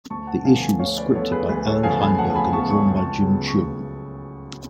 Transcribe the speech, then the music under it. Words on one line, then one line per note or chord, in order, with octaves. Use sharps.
The issue was scripted by Allan Heinberg and drawn by Jim Cheung.
D2 A5 C#6
F#5 A5
D3 F3 B3 F5 G#5
F5 G#5
D2 C#5 F5
B4 D5
D3 F3 B3 A4 C#5
G#4 B4
D2 G#4 B4
A4 C#5
C#3 F3 B3 F5 G#5
G#5 B5
D2 F#5 A5
G#5 B5
C#3 F3 B3 A5 C#6
C#6
C#2
A5 C#6
C#3 F#3 B3
C#6